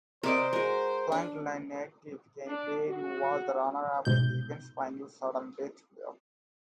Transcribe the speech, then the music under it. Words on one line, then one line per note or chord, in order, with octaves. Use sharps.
Franklin native Kenny Perry was the runner-up in the event's final sudden-death playoff.
C3 A#4 C5 D5 D#5
G#3 F#4 A#4
D4
D4
F#4
C2 G#2 B2 G6